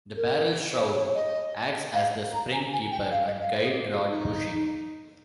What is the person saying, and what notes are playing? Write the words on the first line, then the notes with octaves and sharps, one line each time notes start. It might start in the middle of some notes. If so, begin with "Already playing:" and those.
The barrel shroud acts as the spring keeper and guide rod bushing.
A#4
C5
C#5
D#5
F5
A#5
G#5
G#5
G5
F5
D#5
F5
C5
G#4
G4
F4
D#4